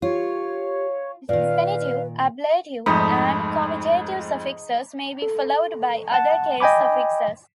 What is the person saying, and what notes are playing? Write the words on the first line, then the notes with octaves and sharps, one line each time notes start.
Genitive, ablative and comitative suffixes may be followed by other case suffixes.
F4 G4 C#5
A#2 D#3 B4 D5 F5
F2 G#2 A3 D#4 G#4 D#5 B5 D#6
A4
F#5 A5
D#5 G5 G#5 B5 D6